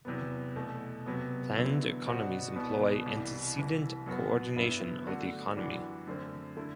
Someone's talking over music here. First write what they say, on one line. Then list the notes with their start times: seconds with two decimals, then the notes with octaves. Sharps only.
Planned economies employ antecedent co-ordination of the economy.
0.05 E2 C3 F#3 B3
0.56 E2 B2 A3
1.06 C3 F#3 B3
1.55 D3 F#3 B3 E4
2.06 B2 G3 C4 F#4
2.56 C2 B2 G3 B3
3.06 C2 C3 E3 G3
3.56 C2 C3 E3
4.06 F#2 F#3 B3 F#4
4.56 G2 F#3 B3 E4
5.07 D3 A3 D4 F#4
5.56 F#2 E3 G3 D4 F#4
6.07 F#2 D3 A3 C4
6.57 D3 A3 E4